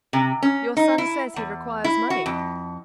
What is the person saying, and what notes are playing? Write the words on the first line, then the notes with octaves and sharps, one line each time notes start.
"Your son says he requires money."
C3
C#4
D#4
E4
E2
E4
F#4
F2